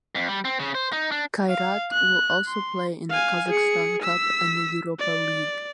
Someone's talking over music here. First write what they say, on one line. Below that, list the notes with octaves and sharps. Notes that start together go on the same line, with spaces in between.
Kairat will also play in the Kazakhstan Cup and the Europa League.
F2
G3
C4
C#3
C5
D#4
D4
F5
F#6
C6
F5 G#5
G#4 C#7
E6 B6
D5